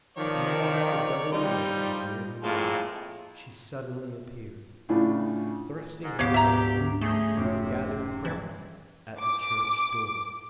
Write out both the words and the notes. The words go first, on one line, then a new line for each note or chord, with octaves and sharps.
But now that the double marriage was nearly made she suddenly appeared, thrusting her way rudely through the gathered crowd at the church door.
D#3 F3 C#5 D5
F3 G3 D#4 C6
F2 A2 G#3 A#3 F4 A5
A2 C#3 C#4 D4 F4
G#2
D2 G#2 F3 B3 D4 G4 C#5 F5
E5 A#5
G#3 A3 C#4 G#4 C#6 G6
F1 C3 C#4 D6
E3 G#3 G#6 A6
D6